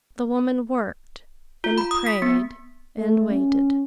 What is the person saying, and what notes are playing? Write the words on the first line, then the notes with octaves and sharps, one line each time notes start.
The woman worked and prayed and waited.
F4
B5
D#6
B6
B3
A3
C#4